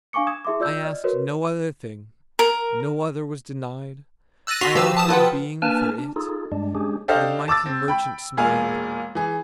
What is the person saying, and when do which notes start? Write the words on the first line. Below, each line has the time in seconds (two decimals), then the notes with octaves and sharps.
I asked no other thing, No other was denied. I offered Being for it; The mighty merchant smiled.
0.13 D4 F5 G#5 C#6 D6 C#7
0.27 D#6 G#6 E7
0.45 E4 G#4 E5 C6 D6
0.60 F4 D5 E6 G6
0.83 D5 D#5 F6
1.04 F#4 A#4 B4 C#5
2.39 A#4
4.47 E6 F#6 A6 A#6 D#7
4.61 F#4 C6 B6 C7 F7
4.75 F3 G4 B4 E6 E7
4.97 A5 D#6 E7
5.09 F4 B4 F#5 G5
5.62 A#3 D4 B4 G#5 A5 F6
5.98 D4
6.16 D#4 F4 G#4 A4
6.52 G2 G3 G#3 D4
6.75 G#3 C#4 D4 G4 G#4
7.08 D4 G4 A4 C5 D#5 F5
7.48 A5 D6 E6 A6
7.66 C4
7.88 G5 B5
8.37 E1 A#2 G#4 F5 G#5
9.15 E3 G#4